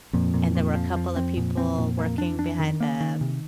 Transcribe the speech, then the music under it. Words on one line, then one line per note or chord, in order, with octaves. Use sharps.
and there were a couple of people working behind the
F2 A#2
A#2
A#2
F3
F3
C4
A#2
C4
A#2
A#3
D4
D4
D#3
A#3
D#3
C3